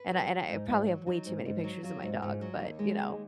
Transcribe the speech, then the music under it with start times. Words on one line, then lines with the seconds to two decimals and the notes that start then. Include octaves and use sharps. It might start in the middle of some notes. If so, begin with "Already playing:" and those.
and I and I probably have way too many pictures of my dog, but, you know,
Already playing: B4
0.11 F#3
0.29 F#3 F4
0.48 G#2 D#4
0.68 G#2 F4
0.88 F#3
1.06 F#3 D#4
1.26 G#2
1.46 G#2
1.64 F#3
1.83 F#3 F4
2.03 G#2
2.22 G#2
2.41 F#3
2.60 D#2
2.79 G#3
2.99 D#2